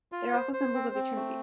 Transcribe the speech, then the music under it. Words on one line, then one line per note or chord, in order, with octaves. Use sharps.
They are also symbols of eternity.
F4
C5
C5
C4
C4
A3